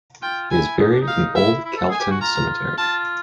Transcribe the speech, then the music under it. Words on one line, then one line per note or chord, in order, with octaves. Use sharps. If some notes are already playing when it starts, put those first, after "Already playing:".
He is buried in Old Calton Cemetery.
F4 G5
E4 G#5
D#4
D4
D#4
F5
E4 E5
E4
A4
G#4 G#5
G4
F#4
F4 A#5
F4 A5